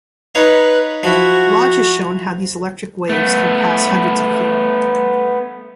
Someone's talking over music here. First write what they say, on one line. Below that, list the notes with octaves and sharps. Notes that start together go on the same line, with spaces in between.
Lodge has shown how these electric waves can pass hundreds of feet.
D#4 B4 C#5 F5
F3 E4 F#4
A3 B3